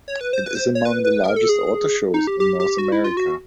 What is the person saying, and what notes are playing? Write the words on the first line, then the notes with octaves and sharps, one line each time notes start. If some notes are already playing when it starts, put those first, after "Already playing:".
It is among the largest auto shows in North America.
C#5
B4
C5
B4
C5
C#5
B4
B4
A#4
A4
G#4
D#4
G4
G4
G4
F#4
E4
F4
F#4